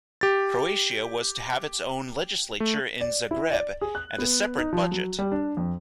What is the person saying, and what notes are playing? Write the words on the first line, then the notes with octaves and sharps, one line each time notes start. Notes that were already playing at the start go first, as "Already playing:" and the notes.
Croatia was to have its own legislature in Zagreb, and a separate budget.
G4 A6
A3
D5
E4
D5
G#4
F#6
B3
D#4
F3
F#3
G3
D4
F2